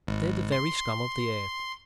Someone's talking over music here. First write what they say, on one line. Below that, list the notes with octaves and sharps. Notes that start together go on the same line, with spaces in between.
They're the very scum of the earth.
G#1
C6